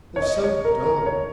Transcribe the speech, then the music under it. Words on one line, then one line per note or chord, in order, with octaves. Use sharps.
"They're so dull."
C#5
D#5
C#5
A#4
A#4
C#5